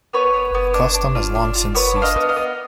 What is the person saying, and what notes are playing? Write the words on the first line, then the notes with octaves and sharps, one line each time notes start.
The custom has long since ceased.
B3 B4 C#5
B3
B3
D4
D4
F4
D4
F4
B3 B4 C#5
D4
D#5 F5
B3
D#5 F5
B3